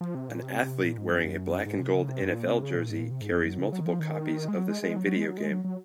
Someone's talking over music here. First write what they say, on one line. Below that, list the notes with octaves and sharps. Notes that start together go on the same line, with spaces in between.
An athlete wearing a black and gold NFL jersey carries multiple copies of the same video game.
F3
C3
A#2
C3
C3
A#2
G#2
F#2
F#2
G#2
C3
C#3
C3
F#2
G#2
A#2
C3
C#3
A#2
G#2
A#2
C3
G#2
F2
F#2
C#3
F#3
D#3
F3
D#3
G#3
F#3
G#3
G#3
F#3
F#3
G#3
F#3
G#3
F#3
F#3